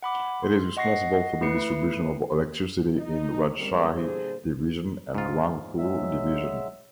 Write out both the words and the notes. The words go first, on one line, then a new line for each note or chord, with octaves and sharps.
It is responsible for the distribution of electricity in Rajshahi Division and Rangpur Division.
F#5 B5 D6
C6
D#5 F#5 C#6 A#6 C7
A3 E4 B4 C7 C#7
D#4
F#2 G3 G#3 C4 A#4
A#2 D3 G3 G#4 A4 C5
G#2 F4
F#3 G#3 E5